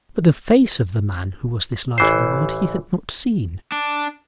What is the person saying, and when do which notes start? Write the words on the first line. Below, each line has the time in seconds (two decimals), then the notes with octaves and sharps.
But the face of the man who was this light of the world he had not seen.
1.98 A1 E3 C5
3.72 D4